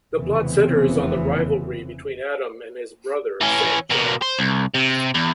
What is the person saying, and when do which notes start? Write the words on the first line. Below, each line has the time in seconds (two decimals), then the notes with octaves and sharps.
The plot centres on the rivalry between Adam and his brother Saint John.
0.16 F1 E2 C#3 E3 B3 C4
3.41 E3 C#4
3.91 B2 A#3
4.22 C5
4.39 C2
4.74 C3
5.14 E2